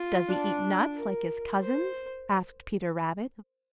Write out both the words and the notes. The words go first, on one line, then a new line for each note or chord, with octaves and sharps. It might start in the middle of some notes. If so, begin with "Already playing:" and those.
"Does he eat nuts like his cousins?" asked Peter Rabbit.
Already playing: F4
D4
A#4
C5